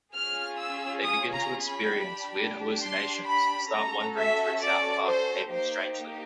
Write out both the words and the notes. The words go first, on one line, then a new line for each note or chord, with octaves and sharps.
They begin to experience weird hallucinations and start wandering through South Park behaving strangely.
C#4 F4 G#4 F6
E6
D#6
A#5
B5
D4 G4
C6
B5
C#4 F#4 A4 A#5
E5
D5
C5
A#3 D#4 G4 C5